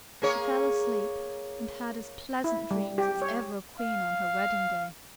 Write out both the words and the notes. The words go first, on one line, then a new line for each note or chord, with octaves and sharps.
She fell asleep, and had as pleasant dreams as ever a queen on her wedding-day.
A#3 G#4 C#5
E4
G3
G4
C#5
F5